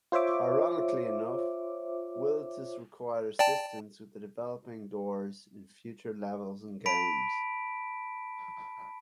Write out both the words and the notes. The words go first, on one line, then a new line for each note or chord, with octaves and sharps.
Ironically enough, Willits required assistance with developing doors in future levels and games.
F4 C5 C#5 E5 D6
D5 G5 A5
A5 B5 B6 D7